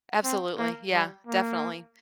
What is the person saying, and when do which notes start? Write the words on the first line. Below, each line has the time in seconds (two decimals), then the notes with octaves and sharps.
Absolutely, yeah, definitely.
0.24 C4
0.58 A#3
0.93 G3
1.27 A#3